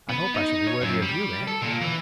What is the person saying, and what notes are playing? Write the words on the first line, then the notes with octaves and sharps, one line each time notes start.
'I hope I shall be worthy of YOU, aunt.
B3
D#4
C#5
F#2
G3
A4
A#2
E3